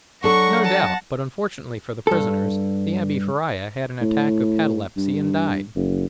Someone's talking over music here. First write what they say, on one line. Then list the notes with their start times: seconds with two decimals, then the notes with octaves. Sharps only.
"No doubt; but unfortunately for the prisoners, the Abbe Faria had an attack of catalepsy, and died."
0.24 F#3 D4 A4 F#5 C#6 A#6
0.65 A5
2.07 G2 A4
4.01 A2
4.97 G2
5.75 F#1